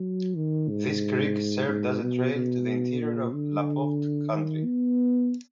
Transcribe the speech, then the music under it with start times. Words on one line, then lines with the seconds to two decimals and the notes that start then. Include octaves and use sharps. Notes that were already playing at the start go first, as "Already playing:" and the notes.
This creek served as a trail to the interior of LaPorte County.
Already playing: F#3
0.36 D#3
0.69 G#2
1.68 G#2
2.02 B2
2.35 B2
3.00 A#2
3.34 D3
4.31 D#3
4.65 B3